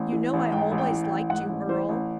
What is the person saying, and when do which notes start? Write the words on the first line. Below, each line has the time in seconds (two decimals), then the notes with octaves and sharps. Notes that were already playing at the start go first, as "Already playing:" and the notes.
"You know I always liked you, Earle."
Already playing: A1
0.12 E3
0.33 A1
0.51 G#2 G5
0.71 A1
0.78 G5
0.90 E3
1.04 G5
1.11 A1
1.30 G#2 F#5
1.49 A1
1.68 E3 C5
1.89 A1